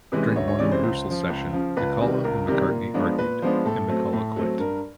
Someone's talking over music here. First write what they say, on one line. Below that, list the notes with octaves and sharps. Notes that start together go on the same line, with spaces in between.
During one rehearsal session, McCullough and McCartney argued, and McCullough quit.
C3 E3 G#3 C#4 B4
D2 C#5
C#5
C3 E3 G#3 C#4 D5
C5
C#2
C#3 F3
C#2
C#3 F3
C#2 B4
C3 D#3 G3
C#2 A#4
C3 D#3 G3 A#4
A#2
F3 G#3 B3 D4
A#2 B4
F3 G#3 B3 D4 C5
A2 A4
F#3 A3 C4
A2
F#3 A3 C4
G2 A#4